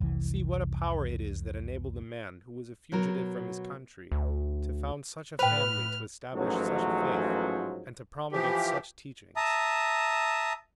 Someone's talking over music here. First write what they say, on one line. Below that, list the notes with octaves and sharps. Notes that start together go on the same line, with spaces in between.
See what a power it is that enabled a Man Who was a fugitive from His country to found such a family, to establish such a faith, and to promulgate such teachings.
F1 C2 E3
B2 F#3 A#4
D2
A2 B4 C5 G5 F6
A1 G#2 F3 F#3
E3 F3 G4
E5 A5 A#5 D#6